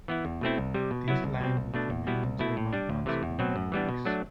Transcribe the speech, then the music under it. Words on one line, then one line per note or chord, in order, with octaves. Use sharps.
This line would remain in German hands for many weeks.
E3 B3 E4
E2
B2 A3 C4 E4
C2
C3 G3
B2
F#3 B3 E4
C2
B2 G3 C4
C2
B2 A3 D4
E2
B2 G3 B3 E4
C2
B2 A3 E4
A2
G3 D4
D2
C3 E3 A3 E4
E2
B2 F#3 C4
F#2
E3 G3 B3 D4
B2
F#3 A3 D4